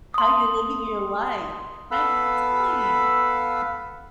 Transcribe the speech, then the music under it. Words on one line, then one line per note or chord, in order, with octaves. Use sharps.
how you're living your life. I'm telling you!
C6 D#6
B3 A4 B4 F5 B5 E6